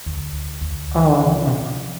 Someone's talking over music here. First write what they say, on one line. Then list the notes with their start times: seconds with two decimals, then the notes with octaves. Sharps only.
Oh. Uh-uh.
0.06 D2
0.61 D2
1.31 F3